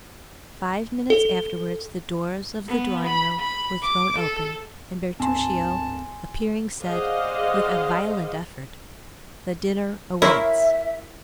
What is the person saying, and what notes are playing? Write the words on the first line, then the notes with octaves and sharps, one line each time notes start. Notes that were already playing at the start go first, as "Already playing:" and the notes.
Five minutes afterwards the doors of the drawing-room were thrown open, and Bertuccio appearing said, with a violent effort, "The dinner waits."
A4
B3
B5
B5
D6
A4
D1 G#2 C4 G#5 A5 C6
G#4 C5 D5 D#5 F5 F#5
E4 A#4 C#5 E5 C6